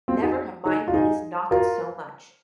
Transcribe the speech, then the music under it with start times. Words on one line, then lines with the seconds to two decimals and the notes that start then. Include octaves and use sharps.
Never have my knees knocked so much.
0.08 C4 F4
0.22 D#4 G#4
0.65 D#4 G#4
0.88 F4
0.94 D#4 G#4
1.51 F4 A#4